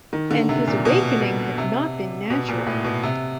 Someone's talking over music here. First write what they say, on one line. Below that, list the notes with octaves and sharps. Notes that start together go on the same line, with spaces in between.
And his awakening had not been natural!
D#3
D3
C3
A#2
B2
B2
C3
B2
A#2
A2
B2
C3